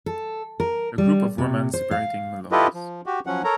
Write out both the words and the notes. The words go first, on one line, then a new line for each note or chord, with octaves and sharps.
A group of women separating melons.
A4
A#4
G3
C3
C5
F5
E4 F4 G4 A4 B4 D#5
F3
F#4 G4
F3 F#3 C#4 F#5
A4 A#4 C#5 A#5